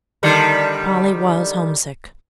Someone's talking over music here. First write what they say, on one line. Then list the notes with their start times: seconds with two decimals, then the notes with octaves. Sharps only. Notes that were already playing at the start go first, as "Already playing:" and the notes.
Polly was homesick.
0.23 D3 D#3 G3